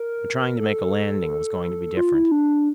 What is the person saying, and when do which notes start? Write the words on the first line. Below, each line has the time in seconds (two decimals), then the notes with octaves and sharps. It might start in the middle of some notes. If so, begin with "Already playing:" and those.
But trying to make a landing was going to be different.
Already playing: A#4
0.57 A4
1.97 F4
2.14 E4
2.32 D4